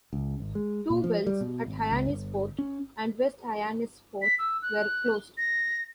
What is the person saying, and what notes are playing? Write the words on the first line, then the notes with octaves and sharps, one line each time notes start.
Two wells, at Hyannisport and West Hyannisport, were closed.
C#2
G#1
G#3
A#2
F3
G3
B2
G#1
C#2
G1
C#4
B6
E6
F#6
A#6